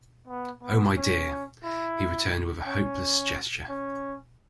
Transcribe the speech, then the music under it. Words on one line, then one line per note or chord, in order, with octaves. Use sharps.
"Oh, my dear," he returned with a hopeless gesture.
B3
B3
C#4
E4
C#4
C#4